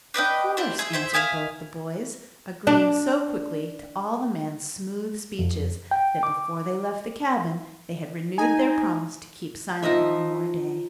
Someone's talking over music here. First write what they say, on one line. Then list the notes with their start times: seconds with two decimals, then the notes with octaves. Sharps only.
"Of course," answered both the boys, agreeing so quickly to all the man's smooth speeches that, before they left the cabin, they had renewed their promise to keep silent one more day.
0.14 D4 B4 D#5 G5
0.57 D4 E4 C5
0.79 G#4 E5
0.93 G#4 C5 E5
1.14 E5 F5 G#5 D#6
2.67 D4
5.39 F2
5.91 G5
6.23 D6
8.38 D#4 G#5
9.82 F3 D#4 D#5 E5